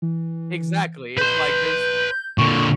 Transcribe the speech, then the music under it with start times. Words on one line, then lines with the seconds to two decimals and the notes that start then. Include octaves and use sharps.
Exactly, it's, like, there's
0.02 E3
1.18 B4 C6 G6
2.38 A#2 D3 C#6